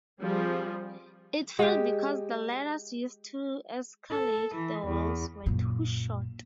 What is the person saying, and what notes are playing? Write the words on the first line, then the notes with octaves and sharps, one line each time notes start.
It failed because the ladders used to escalade the walls were too short.
F3 G3 C4 G#4
G#3 G4
A4
E3
E2
F#2 A#2